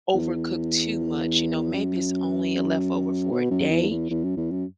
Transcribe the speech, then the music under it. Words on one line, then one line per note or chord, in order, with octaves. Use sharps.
overcook too much, you know, maybe it's only a leftover for a day,
E2
F#2
B2
F#2
E2
E2
E2
F#2
E2
F#2